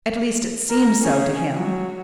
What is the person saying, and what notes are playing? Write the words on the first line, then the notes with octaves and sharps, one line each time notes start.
At least, it seemed so to him.
A#4
C#4 G#4
F#3